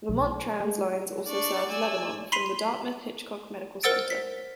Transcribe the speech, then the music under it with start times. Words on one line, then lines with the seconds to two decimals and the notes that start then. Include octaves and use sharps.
Vermont Translines also serves Lebanon from the Dartmouth-Hitchcock Medical Center.
0.09 B1
0.60 G#3
1.27 D4 D5 C#6
1.69 D5 G#5 E6
2.32 B5 C6 B6 C7 D#7 F7
3.83 A#4 C5 F#5 E6 A6 D7
4.10 B6